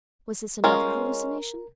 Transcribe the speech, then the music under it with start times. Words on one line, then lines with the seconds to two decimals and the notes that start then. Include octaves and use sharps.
Was this another hallucination?
0.64 G#3 C#4 F4 A#4